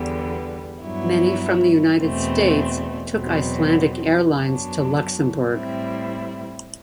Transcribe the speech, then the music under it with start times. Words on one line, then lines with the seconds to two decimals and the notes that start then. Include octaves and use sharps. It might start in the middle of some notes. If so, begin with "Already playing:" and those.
Many from the United States took Icelandic Airlines to Luxembourg.
Already playing: E2 D3 G3 B3
0.82 G2 F#3 B3 E4
1.99 E2 B2 A3 C4
3.16 E2 B2 F#3 C4
4.32 F#2 F#3 B3 D4
5.49 A2 G3 C4 E4